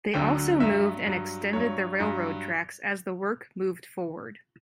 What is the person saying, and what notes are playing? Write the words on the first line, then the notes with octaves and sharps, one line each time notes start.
They also moved and extended the railroad tracks as the work moved forward.
D2 D3 F#3 G5
G2 F#3 E5
G2 F#3
G2 F#3 C#5
G2 F#3